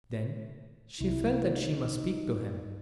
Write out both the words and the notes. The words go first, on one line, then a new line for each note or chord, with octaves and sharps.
Then she felt that she must speak to him.
C2 E4
D#4